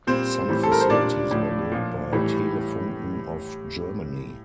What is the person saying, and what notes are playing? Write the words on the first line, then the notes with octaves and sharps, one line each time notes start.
Some facilities were built by Telefunken of Germany.
A#2 G3 C4 C5
A2 E3 G3
A4
A#4
C5
A#2 G3 D4 D5
A2 F3
A#2 F3
A2 E3 G3